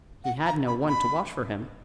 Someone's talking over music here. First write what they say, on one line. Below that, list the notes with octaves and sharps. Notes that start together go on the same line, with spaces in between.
He had no one to wash for him.
F#5
A#5
B5
B5